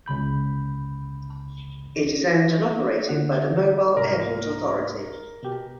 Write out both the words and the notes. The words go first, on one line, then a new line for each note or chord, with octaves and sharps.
It is owned and operated by the Mobile Airport Authority.
C#2 C#3 B5 G6
D3 F#5
C2 G#2 A#4 A#5
B2 G4